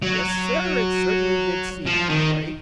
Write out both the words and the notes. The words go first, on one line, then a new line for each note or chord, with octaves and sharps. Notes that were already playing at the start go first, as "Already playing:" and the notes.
Yes, Sir, it certainly did seem that way.
F#3
F3
D#3